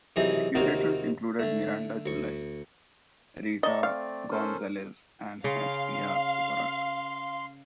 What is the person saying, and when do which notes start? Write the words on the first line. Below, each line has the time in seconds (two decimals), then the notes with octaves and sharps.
The curators included Miranda July, Rita Gonzalez, and Astria Suparak.
0.16 F#2 C3 E3 D#4 G#4 D#5
0.55 D#2 C3 A#3 D#4 F4 F#4
1.39 D3 A3
2.06 D2 C#6
3.63 D5 D#5 A5 A#5 C#6
3.83 A3 C4 F5
4.32 C#4 A4 A#4 C5
5.44 C#3 F5 C6